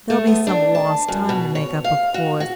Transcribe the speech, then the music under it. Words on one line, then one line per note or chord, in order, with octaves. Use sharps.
There'll be some lost time to make up, of course.
A3
B3
D4
A5
F#2
B2
C#5
F5
F#4
F#4